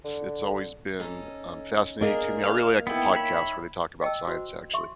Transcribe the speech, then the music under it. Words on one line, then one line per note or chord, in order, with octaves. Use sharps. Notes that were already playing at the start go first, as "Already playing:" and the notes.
It's it's always been, um, fascinating to me I really like the podcast where they talk about science, actually.
D3
C#4 D#4 A4
A#3 D4 G#4 A#4 D#5
F5
D#3 B3 E4 G5
C#5 E5 B5
D#5 G5 A5 E6
F#4 C5
E5 C6 C#6